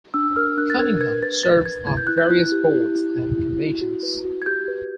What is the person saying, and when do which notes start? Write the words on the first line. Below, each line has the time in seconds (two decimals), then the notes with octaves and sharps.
Cunningham serves on various boards and commissions.
0.14 D4 E6
0.36 A#4 F6
0.57 D4 F#6
0.70 A6
0.79 A#4 G#6
1.00 B4 G#6
1.22 B4 A6
1.43 B4 A6
1.66 B4 G#6
1.87 E4 G#6
1.97 G6
2.07 E4 F#6
2.18 G6
2.30 E4 F#6
2.52 G4
2.74 E4
2.96 E4
3.17 E4
3.38 E4
3.60 F#4
3.82 F#4
4.03 B4
4.24 F#4
4.42 G#6
4.46 G4 G6
4.68 B4